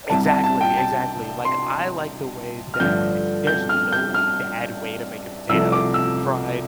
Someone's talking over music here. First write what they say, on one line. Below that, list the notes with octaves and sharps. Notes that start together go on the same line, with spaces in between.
Exactly, exactly. Like, I like the way that there's no bad way to make a potato, fried,
C2 C3 G3 A5
A5
A5
G5
A5
C6
F6
G2 D3 F3 A3 G6
G6
F6
G6
F6
C2 C3 F3 A3 E6
D6
E6